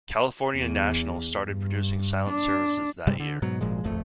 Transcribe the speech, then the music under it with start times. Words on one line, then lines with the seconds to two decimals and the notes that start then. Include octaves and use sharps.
California National started producing Silent Services that year.
0.55 E2
1.46 G2
2.30 D4
3.07 G2 C3 G3 G#3
3.20 D3
3.42 G#2 B2 F#3
3.61 G#1 A#2 F3 G#3
3.84 D#1 G#1 F2 A3